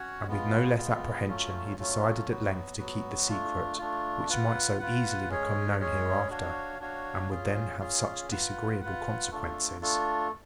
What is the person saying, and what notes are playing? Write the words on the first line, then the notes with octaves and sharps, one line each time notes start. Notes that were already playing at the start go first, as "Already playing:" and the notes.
And with no less apprehension he decided at length to keep the secret, which might so easily become known hereafter, and would then have such disagreeable consequences.
Already playing: C#4 F#4 C#5 F#5
G#3 B3 F4
G#3 B3 F4
F#3 A3 C#4 F4
F#3 A3 C#4 F4
F#3 B3 F#4
F#3 B3 F#4
A3 D4 F4
A3 D4 F4
F4 B4 F#5
F4 B4 F#5
G#3 C#4 G#4 C#5
G#3 C#4 G#4 C#5
D4 F#4 C#5 F5
D4 F#4 C#5 F5
C#4 F4 G#4
C#4 F4 G#4
F4 B4 F#5
F4 B4 F#5
A3 D4 F4 A4
A3 D4 F4 A4